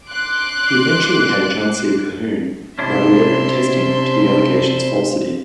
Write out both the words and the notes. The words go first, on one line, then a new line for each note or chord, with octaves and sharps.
He eventually had John C. Calhoun write a letter attesting to the allegation's falsity.
C6 D6 F#6
C3 C#4 D4 E4 C5 E5 C6